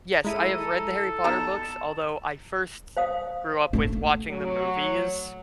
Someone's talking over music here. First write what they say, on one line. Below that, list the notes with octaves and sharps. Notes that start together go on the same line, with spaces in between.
Yes, I have read the Harry Potter books, although I first grew up with watching the movies.
G#3 E4 A4 A#5 D#7
B3 D#4 A5 A#5
C5 F5 D#6
A3
F#3